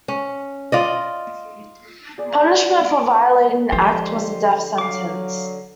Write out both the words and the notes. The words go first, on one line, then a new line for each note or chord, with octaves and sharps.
Punishment for violating the act was a death sentence.
C#4
F4 D5 D#5
G#4 D5
D3 F3 G#3 F4 G4 A4 C5
F#3 F5 D6